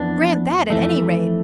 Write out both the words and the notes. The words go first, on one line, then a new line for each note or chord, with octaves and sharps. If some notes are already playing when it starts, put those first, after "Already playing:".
Grant that at any rate.
Already playing: F2 E3 B3 D4
F2 E3 A3